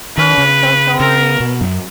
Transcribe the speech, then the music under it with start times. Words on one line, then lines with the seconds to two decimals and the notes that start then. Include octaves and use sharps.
Oh, I'm so sorry.
0.17 D#3 B4
0.38 C#3
0.99 C#3 A#4
1.40 B2
1.61 F#2